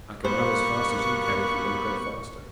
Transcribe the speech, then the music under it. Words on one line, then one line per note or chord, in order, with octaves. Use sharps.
"I can run as fast as you can if you want to go faster."
G2 A#3 B3 C5 C#6 F#6